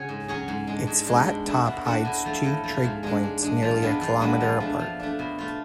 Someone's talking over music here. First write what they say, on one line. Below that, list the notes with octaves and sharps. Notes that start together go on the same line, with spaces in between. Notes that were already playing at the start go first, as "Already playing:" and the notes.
Its flat top hides two trig points nearly a kilometre apart.
Already playing: C#3 C#4 F#4 G#4 C#5
G#2
F#3 C#4 G#4 C#5
G#2
G#3 D4
G#2
G#3 D4
B2
A3 D4 F#4
B2
A3 D4 F#4
A2
F3 A3
A2
F3 A3
G#2
G#3 D4
G#2
G#3 D4
F3
G#3 B3 D4 F#4
F3
G#3 B3 D4 F#4
F3
A3 D4
F3
A3 D4
B2
A3 F4